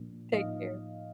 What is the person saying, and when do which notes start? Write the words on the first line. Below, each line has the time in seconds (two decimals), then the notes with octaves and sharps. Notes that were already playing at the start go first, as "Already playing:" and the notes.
Take care.
Already playing: A#2 F3 A#3 D4
0.32 A2 F3 A#3 D#4 D#5 F5